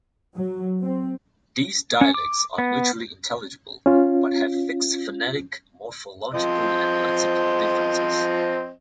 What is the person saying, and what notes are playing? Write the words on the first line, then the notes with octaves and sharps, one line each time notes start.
These dialects are mutually intelligible, but have fixed phonetic, morphological and lexical differences.
F#3
C4
C#4
D6
B3
C#4 F4
F3 C4 D#5